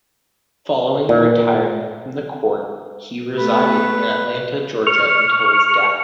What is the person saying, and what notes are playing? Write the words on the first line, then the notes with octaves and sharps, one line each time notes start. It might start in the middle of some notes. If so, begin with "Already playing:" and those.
Following retirement from the Court, he resided in Atlanta, Georgia until his death.
A#2
A3 B3 B4
C#6 F6